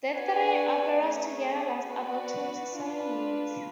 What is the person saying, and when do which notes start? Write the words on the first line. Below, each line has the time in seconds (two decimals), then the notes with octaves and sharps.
The three operas together last about twenty-seven minutes.
0.15 D4 F#4 B4 D5 G#5
1.02 A3 C#4 G#4
1.89 B3 F#4 B4 D5
2.76 D4 F4 B4